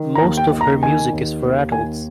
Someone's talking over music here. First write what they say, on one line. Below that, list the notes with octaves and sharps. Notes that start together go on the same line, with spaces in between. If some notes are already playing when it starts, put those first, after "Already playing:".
Most of her music is for adults.
Already playing: D#3
A#5
D#2
G5
D#3
A#5
D#3 G#5
D#2
D#2
D#3 G#5